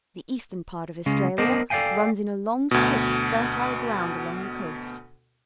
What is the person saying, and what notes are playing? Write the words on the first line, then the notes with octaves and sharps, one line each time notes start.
The eastern part of Australia runs in a long strip of fertile ground along the coast.
C#3 G#3 C#4
B3 D4 A#4 C5 D#5
A4 D5 E5 F5 G5 G#5
D2 B2